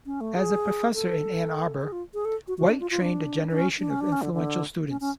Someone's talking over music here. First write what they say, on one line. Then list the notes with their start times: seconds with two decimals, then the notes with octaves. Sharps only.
As a professor in Ann Arbor, White trained a generation of influential students.
0.06 C#4
0.21 A3
0.35 G#4
0.94 A4
1.81 G#4
1.92 F4
2.14 G#4
2.25 A4
2.47 F#4
2.58 F#4
2.69 D4
2.80 F4
2.91 F4
3.01 D4
3.50 D4
3.57 C#4
3.79 D4
3.90 C#4
4.01 D4
4.12 C#4
4.22 D3
4.33 D3
4.88 C#4
5.00 C#4